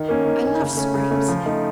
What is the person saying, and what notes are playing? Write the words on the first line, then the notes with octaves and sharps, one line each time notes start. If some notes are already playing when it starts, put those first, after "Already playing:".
I love scrapes.
Already playing: D#3
A#3 C#4
D#3
A#3 C#4
C#3
A3 C#4
C#3
A3 C#4
F3
A3 D#4